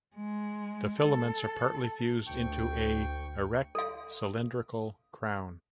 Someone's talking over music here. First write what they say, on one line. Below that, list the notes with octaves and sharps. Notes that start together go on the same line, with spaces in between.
The filaments are partially fused into a, erect, cylindrical "crown".
G#3
A4
D2 G5 C#6
A4 F5